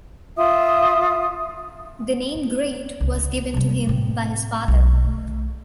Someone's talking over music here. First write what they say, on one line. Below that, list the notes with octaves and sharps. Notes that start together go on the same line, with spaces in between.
The name ‘Great’ was given to him by his father.
F4 E5 D#6
C#2
C3 G3
A2 C4
B1
A3